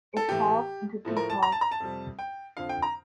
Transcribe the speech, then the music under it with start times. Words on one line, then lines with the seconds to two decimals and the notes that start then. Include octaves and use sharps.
It falls into two parts.
0.17 A4
0.28 A2 E3 A3 G4
1.05 A2 F3 A3
1.17 A#4
1.30 A5
1.43 A#5
1.52 A5
1.61 A#5
1.71 A5
1.80 F2 C3 G3
2.19 G5
2.57 F2 D3 F3 F5
2.69 G5
2.82 A#5